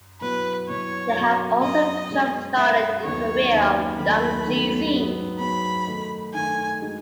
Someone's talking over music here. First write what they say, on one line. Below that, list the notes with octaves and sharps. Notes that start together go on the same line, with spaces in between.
They have also jump-started the career of Young Jeezy.
B2 F#3 B3 E4 B4
B2 F#3 B3 E4 C#5
B2 F#3 C#4 F#4
B2 F#3 C#4 F#4 D#5
B2 G#3 C#4
B2 G#3 C#4 E5
D#2 C#3 F#3 B3 D#4 C#5
D#2 C#3 F#3 B3 D#4
D#2 D#3 F#3 A3 B5
D#2 D#3 F#3 A3
G#2 F#3 B3
G#2 F#3 B3 B5
D#3 A3 D#4
D#3 A3 D#4 G#5
D#3 G#3 D#4 F#4